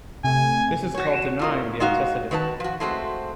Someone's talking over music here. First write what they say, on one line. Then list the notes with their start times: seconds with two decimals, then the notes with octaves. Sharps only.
This is called denying the antecedent.
0.24 C3 A3 G#5
0.94 F#4 C#5
1.39 A2 F4 A#4
1.80 G#3 D#4 F#4 F5
2.31 D#3 F#4 B4 D5 A5
2.60 F3 F#4
2.80 G#3 A3 C4 F#4